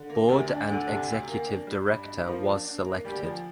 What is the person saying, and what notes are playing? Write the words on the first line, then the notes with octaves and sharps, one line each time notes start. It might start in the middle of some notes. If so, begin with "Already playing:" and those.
Board and Executive Director was selected.
Already playing: D3
A#3
D2 C3
D4
D2 D3
C3
D2
A#3
D4
G3
G2
G2
F3 A#3
D4
D4
A#3
D2 G3
F3